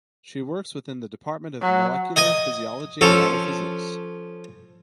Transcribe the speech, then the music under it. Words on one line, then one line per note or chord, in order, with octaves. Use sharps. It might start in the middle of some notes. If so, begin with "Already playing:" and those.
She works within the Department of Molecular Physiology and Biophysics.
F#3
D#5 G#5 D#6
F3 C#4 A4